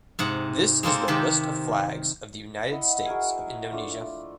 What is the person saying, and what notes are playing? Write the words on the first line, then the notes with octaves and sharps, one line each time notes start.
This is the list of flags of the United States of Indonesia.
G#2 C3 F#5
G#3 A#3 C4 A4
C3 D#3 G4
E4 D#5 F#5
F#4 G#4 A#4 G#5
F3 A3 D4